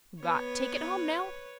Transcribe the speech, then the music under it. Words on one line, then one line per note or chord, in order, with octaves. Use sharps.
Got take it home now.
B3 B4 C#5